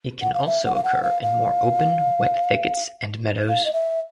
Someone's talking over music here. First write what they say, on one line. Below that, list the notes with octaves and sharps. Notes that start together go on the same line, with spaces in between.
It can also occur in more open wet thickets and meadows.
F#5
F5
E5
F#5
F5
F#5
F5
F5
F5
D#5
E5